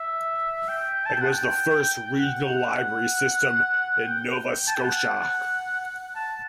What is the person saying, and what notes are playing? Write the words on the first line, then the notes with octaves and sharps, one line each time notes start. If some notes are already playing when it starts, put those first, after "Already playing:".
It was the first regional library system in Nova Scotia.
Already playing: E5
G5
A5
G5
F#5
G5
G5
F#5
F#5
G5
A5
G5
F#5
A5